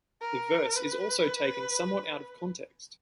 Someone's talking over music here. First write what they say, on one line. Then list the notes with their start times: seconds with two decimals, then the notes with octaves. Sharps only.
The verse is also taken somewhat out of context.
0.22 A#4
0.76 B4